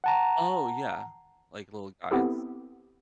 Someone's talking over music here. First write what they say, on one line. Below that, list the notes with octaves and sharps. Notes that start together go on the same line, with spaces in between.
Oh, yeah, like little guides.
F#5 A5 A#5
B3 C4 E4 G4 A4